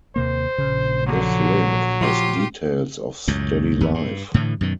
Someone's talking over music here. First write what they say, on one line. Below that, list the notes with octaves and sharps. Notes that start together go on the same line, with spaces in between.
This link has details of Steady life.
D#2 C3 A#3 C5
A#1 C#3
D3 F3 F#3
F3 F4 G4
C#2 F#2 A2
G#1 E2 B3
G2
A2 D3 E3
F#2 B2 D#3